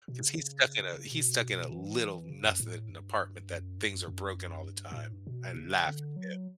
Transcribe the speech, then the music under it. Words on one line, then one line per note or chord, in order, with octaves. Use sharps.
'Cause he's stuck in a he's stuck in a little nothing apartment that things are broken all the time. I laugh at him.
B2
C#3
B2
E3
C#3
F#2
A2
G2
F#2
G2
F#2
F#2
G2
B2
A2
G2
B2
C#3
D3
F#3